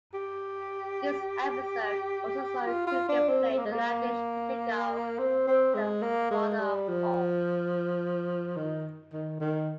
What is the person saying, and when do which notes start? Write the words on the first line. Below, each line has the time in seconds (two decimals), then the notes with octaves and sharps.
This episode also saw Coogan play the laddish Peter Calf, the father of Paul.
0.14 G4
2.67 F4
2.87 F4
3.09 D4
3.29 C4
3.50 C4
3.58 A#3
3.66 G#3
3.72 A#3
5.19 C4
5.47 C4
5.75 G#3
6.03 A#3
6.31 G#3
6.59 G3
6.88 F3
8.57 D#3
9.13 D#3
9.40 D#3